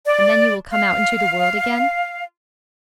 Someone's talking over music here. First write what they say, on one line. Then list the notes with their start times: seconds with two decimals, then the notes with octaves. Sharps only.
'And then you will come out into the world again?
0.06 D5
0.71 F5